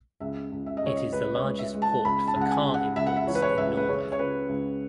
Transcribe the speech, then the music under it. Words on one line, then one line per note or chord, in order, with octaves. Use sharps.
It is the largest port for car imports in Norway.
C#2 E5
C#2
E5
D#5
C#2 C#5
D#5
C#2 B4
C#5
G#3
E5
G#3
A5
C#2 B5
A5
C#2
F#5
G#5
C#3
F#5
C#2 E5
F#5
E5
E3 C#5
B4
C#5
C#2 E5
B4
C#3 C#5
C#5
C#3 B4
C#2